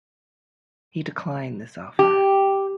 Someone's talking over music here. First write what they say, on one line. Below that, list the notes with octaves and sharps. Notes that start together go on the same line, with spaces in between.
He declined this offer.
G4